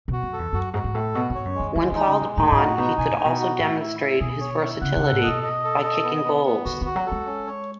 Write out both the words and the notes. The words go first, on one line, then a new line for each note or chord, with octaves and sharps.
When called upon, he could also demonstrate his versatility by kicking goals.
B2 F#4
F#2
A4
E2
F#2 F#4
G#2 F#4
G#2
A2 A4
B2 F#4
G#2
C#5
F#2
D#3 G#3
D#3 G#3
D#3 D#4
C#3
G#3
B2
A2 D#4
G#2
A2 F#4
B2 D#4
B2 G#5
A2
D#4
B2
F#4
A2 E4
E4
E4
B2 G#4
C#5
E4
C#3 F#5
C#3
A4
A2
B2 D#5
D#5
A4
D#5
B3
B3
B3
D#3 F#4
D#3 F#4
F#3
A4
G#3
C#4
C#5